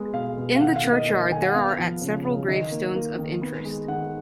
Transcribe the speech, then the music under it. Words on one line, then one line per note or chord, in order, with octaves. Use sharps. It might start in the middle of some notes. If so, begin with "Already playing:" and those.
In the churchyard there are at several gravestones of interest.
Already playing: G#3 B3
B2 F5
B2
F5
D#3 F#5
F5
A#3
D#5
A#3 D#5
D#3 G#5
F#5
B3 F5
F3
C#3
C#3
D#3 D#5
A#3
A#3
D#3
B3
G#3
D#3 F#5